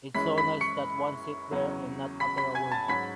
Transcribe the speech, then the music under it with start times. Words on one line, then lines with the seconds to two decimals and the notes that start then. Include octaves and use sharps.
It’s so nice that one sit there and not utter a word.
0.14 F#2 E3 G#3 C#4 B5 B6
0.38 B5 B6
0.61 C#6 C#7
1.51 E2 C#3 F#3 C#4
2.20 B5 B6
2.37 B5 B6
2.55 G#5 G#6
2.72 A5 A6
2.88 G#2 F#3 C#4 B5 B6